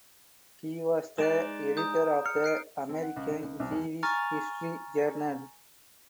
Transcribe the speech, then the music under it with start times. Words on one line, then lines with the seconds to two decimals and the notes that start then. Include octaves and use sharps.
He was the editor of the "American Jewish History" journal.
1.18 G#3 D#4 D5 F#6 D7 E7
1.77 A#5 D#6 G6
2.26 F6 C#7
2.44 F#6 C7 D7
2.89 C4
3.02 F#5
3.16 C#2
3.30 D3
3.43 C#2
3.60 C2
3.72 E2
4.03 G#5 A#5 C#6 F6 A6